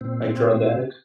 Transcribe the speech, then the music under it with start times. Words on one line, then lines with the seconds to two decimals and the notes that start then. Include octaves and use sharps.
Like, drug addicts,
0.01 A#2 C4